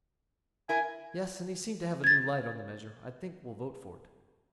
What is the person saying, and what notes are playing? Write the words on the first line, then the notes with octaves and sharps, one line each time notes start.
"Yes, and he seemed to have a new light on the measure: I think will vote for it."
E4 A#4 G#5
G#6 A6